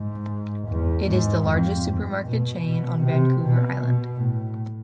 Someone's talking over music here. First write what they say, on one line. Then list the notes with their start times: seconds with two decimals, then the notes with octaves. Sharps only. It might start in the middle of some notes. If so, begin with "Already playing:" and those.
It is the largest supermarket chain on Vancouver Island.
Already playing: G#2
0.68 E2
1.07 G#2
1.47 F2
1.85 G#2
2.26 B2
2.64 B2
3.03 C3
3.43 B2
3.81 B2
4.21 A2